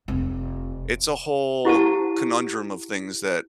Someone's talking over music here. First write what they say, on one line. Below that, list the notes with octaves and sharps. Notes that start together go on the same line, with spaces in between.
it's a whole conundrum of things that
F1 C4
E4 G4 F#5 A5